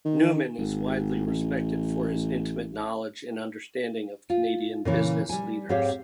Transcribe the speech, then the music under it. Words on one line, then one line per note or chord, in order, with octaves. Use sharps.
Newman is widely respected for his intimate knowledge and understanding of Canadian business leaders.
D#3
G#1
A1
F4
A#2 C#3 E3
G3 G#5
G#2 C4 G4 C#5 F5